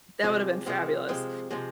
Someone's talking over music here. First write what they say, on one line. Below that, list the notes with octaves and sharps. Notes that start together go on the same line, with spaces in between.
That would have been fabulous.
C3 F3 G#3 C4
C3 F3 G#3 C4
C3 F3 G#3 C4
C3 F3 G#3 C4